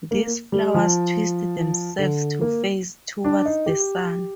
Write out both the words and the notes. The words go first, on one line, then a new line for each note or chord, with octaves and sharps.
These flowers twist themselves to face toward the sun.
A#3
G3
F3
D3
A#3
D4
D#4
G4